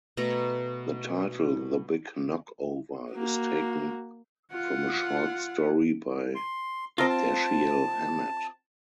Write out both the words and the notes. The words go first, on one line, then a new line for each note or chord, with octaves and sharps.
The title, "The Big Knockover," is taken from a short story by Dashiell Hammett.
B2 A3 A#5
A#3 F#4
F4 F#5
C6
C4 F4 A4 A#4 D#5
A5